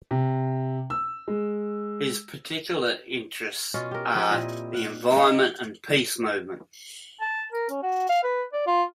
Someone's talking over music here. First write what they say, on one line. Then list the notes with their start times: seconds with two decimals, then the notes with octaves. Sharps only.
His particular interests are the environment and peace movements.
0.11 C3
0.90 E6
1.28 G#3
3.74 B2 C#4 F4
3.91 G4 A#4
4.15 F3 C4 F4 G4
4.31 A#2 E4 D#5
4.73 F5 F#5
5.15 C#3 C4 D#4
7.21 A5
7.53 A#4
7.70 C#4
7.83 F#4
8.09 F5
8.24 B4
8.53 D5
8.67 F4